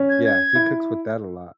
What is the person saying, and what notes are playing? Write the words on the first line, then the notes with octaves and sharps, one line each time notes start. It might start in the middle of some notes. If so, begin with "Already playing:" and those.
yeah, he cooks with that a lot.
Already playing: C#4
G#6
G#6
E4